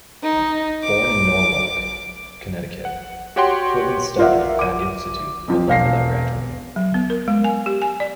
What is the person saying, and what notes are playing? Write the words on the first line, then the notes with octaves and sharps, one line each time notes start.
Born in Norwalk, Connecticut, Kliban studied at Pratt Institute but left without graduating.
D#4
D6
F#5
F#4 G4 C#5 F#5 G5 C6
F4 A#4 D5 E5 F#5
D6 D#7
F2 F3
E1 F5 A#6 C7
F#3
B3
A#4
G#3
G#5
G4
G#5
D5